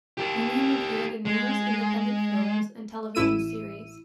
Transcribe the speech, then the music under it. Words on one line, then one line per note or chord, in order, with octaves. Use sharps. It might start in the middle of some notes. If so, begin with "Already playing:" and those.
Bigham appeared in numerous independent films and television series.
G4 A#4
G#3
A1 E4 E6 D#7